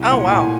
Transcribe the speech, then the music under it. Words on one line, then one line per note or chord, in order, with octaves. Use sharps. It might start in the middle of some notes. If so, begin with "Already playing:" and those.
Oh, wow.
Already playing: C2
A#2 F#5
A2 G#5